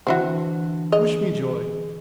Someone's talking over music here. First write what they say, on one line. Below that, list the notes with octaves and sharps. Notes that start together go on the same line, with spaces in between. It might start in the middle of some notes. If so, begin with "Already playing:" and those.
Wish me joy.
D3 E3 C4 E4 F#4
G#4 D#5